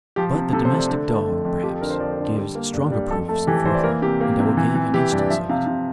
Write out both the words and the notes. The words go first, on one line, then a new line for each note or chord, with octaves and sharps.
But the domestic dog, perhaps, gives stronger proofs of forethought; and I will give an instance of it.
F3 G4
C3
C3 A4
C5
A3
D5
D3
A3
F2
F2
F3 G4
A4
D3 A#4
C5
F3 D5
A#4
D3
A4
G3
A#3
G2
G3
F2 A4
A3 A4
E3 G4
A4
E3 C5
D5
A#3 A#4
C3 G4
A#3
C3
E3
E3
E3 G4
G2
D5
F3 E5
C3 F5
C3